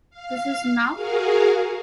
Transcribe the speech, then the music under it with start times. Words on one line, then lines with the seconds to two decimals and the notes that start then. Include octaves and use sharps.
This Is Now.
0.10 F5
0.93 F#4 G#4 A#4 F5